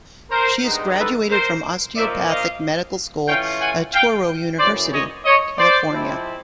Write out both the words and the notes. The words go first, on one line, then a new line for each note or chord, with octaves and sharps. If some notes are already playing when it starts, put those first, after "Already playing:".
She is graduated from osteopathic medical school at Touro University California.
A#4 C5
G2 D#3 G#3 B3 D#4
A4 B4
A#4 C5
A#2 F3 A#3 D#4 D5 E5
D#5 F5
E3 A3 C#4 F4 F5 G5
F#5 G#5
F5 G5
F#2 C#3 E3 C5 D5
C#5 D#5
C#5 D#5
C5 D5
F3 G#3 C4 E4